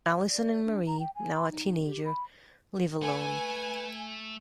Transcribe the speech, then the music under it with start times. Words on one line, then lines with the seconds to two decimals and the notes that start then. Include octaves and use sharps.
Allison and Marie, now a teenager, live alone.
0.28 D5
0.65 D4
0.87 A#5
1.00 G5
1.15 G#5
1.35 C6
1.50 D#4
1.86 G4
2.05 B5
3.02 A3 B4 G#5